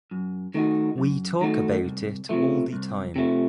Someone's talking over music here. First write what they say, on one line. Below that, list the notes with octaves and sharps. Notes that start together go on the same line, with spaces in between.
We talk about it all the time.
F#2
D#3 A3 D#4 F#4
F#2
D#3 A3 D#4 F#4
C2
C3 F3 A3
C2
C3 F3 A3